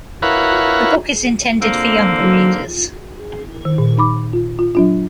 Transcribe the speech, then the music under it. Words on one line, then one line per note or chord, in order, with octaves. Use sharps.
The book is intended for younger readers.
E4 A#4 B4 C#5 F5 F#5
D3 A#3 C4
F#3
D#3
A#2
D#4 B5 D6
F4
F4
F#3 D4 F4